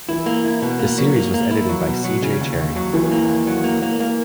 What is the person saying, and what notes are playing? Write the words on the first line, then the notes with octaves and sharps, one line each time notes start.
The series was edited by C. J. Cherryh.
E3 E4
A#3
E4
B2
A#3
F#3
A#3
A#3
E4
F#3
B2
F#3
C#3
D#2
D#2
F#3
D#2 E3
A#3
D#2
F#3
A#3
A#3
A#3